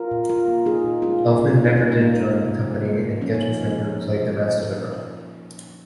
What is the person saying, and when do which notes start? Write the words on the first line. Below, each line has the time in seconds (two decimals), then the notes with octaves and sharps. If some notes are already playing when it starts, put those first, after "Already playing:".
Elfman never did join the company and Gettelfinger played the rest of the run.
Already playing: F4 A#4
0.11 A#2
0.29 A#2 F4 A#4
0.48 A#3
0.66 A#3 D#4 G#4
0.84 A#2
1.02 G#3 C#4 F4
1.21 A#2
1.39 A#2 C#4
1.51 C#4
1.57 G#3
1.64 A#3 D#4
1.75 A#2 A#3 D#4
1.94 G#3
2.00 A#3 D#4
2.13 A#2 C#4
2.30 A#2
2.49 A#2
2.67 G#3
2.85 G#3 A#3
3.03 G#3
3.21 F3 C#4
3.34 A#3 D#4
3.41 A#2